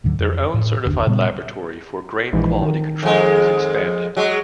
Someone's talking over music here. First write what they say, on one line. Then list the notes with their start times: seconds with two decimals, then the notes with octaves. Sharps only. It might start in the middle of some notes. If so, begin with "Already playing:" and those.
Their own certified laboratory for grain quality control was expanded.
0.04 D2 G#2 D3 F#3
0.19 F2
0.54 A2
0.85 F#1 D#2 D3 D4
1.07 A#2 C#3 G3 B3
2.32 A#1 G#2 E3
2.62 D#3
3.03 F2 G#3
4.17 F#3 G#3